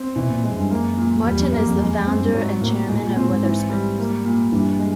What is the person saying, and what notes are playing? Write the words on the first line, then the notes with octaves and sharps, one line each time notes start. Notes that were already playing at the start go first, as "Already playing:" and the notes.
Martin is the founder and chairman of Wetherspoons.
Already playing: C4
B2 E3
A#2
G#3
F#2
G2
F#2 A#3
A#2
E2 G3
F2
F#2 A#3
F2
F2 G#3
F2
F#2 C4
G2
G#2 F#3
A2 A#3
A2 G#3
A#2
A#2 C4
G#2
E3
G3
A#3
A#2
G2 E3
G#3